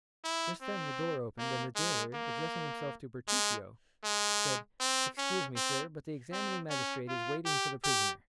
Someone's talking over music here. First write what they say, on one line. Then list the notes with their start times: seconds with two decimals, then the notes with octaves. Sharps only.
Just then the door opened, and the jailer, addressing himself to Bertuccio, said,--"Excuse me, sir, but the examining magistrate is waiting for the prisoner."
0.24 E4
0.62 C4
1.38 A#3
1.76 G#3
2.14 A#3
3.28 G#3
4.04 G#3
4.80 C4
5.18 C#4
5.56 C4
6.32 C4
6.70 C#4
7.08 F4
7.46 G4
7.84 G4